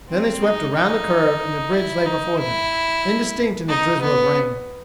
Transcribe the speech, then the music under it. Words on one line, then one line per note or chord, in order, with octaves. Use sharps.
Then they swept around the curve and the bridge lay before them, indistinct in the drizzle of rain.
C4
D#4
D#4
E4
D#4
E4
D#4
B3